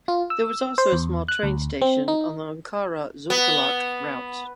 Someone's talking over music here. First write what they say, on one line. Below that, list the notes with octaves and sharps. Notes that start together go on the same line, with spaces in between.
There was also a small train station on the Ankara-Zonguldak route.
F4
E6
C5
E2
F#6
D2
C4
D#4
B3